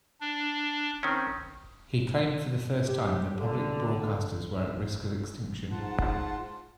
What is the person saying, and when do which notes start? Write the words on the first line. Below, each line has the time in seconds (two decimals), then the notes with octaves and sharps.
He claimed for the first time that public broadcasters were at risk of extinction.
0.21 D4
1.03 D#3 C4 C#4
2.85 G4
3.37 D3
5.71 G#2 F4 F#5 A5